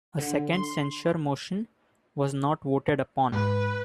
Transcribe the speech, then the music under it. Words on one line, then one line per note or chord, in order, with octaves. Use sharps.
A second censure motion was not voted upon.
D3
C6
G#2 B4